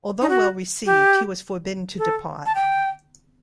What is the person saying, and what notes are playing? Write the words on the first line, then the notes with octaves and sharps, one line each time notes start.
Although well received, he was forbidden to depart.
D#4
F#4
G4
A4
A5
G5